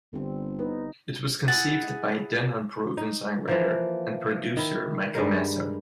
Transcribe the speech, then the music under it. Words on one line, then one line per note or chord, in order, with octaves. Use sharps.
It was conceived by then-unproven songwriter and producer Michael Masser.
G1 D3 G3 C4
B3 D#4
E4 G#4 F#5 A6
D#4
E3 F3 A#3
D#3 E4
G2 G3 G#3 A#4